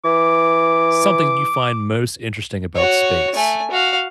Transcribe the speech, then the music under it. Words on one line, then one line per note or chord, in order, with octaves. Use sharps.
something you find most interesting about space?
E3 D6
F#4 C#5
A3 G#5
F#4 F5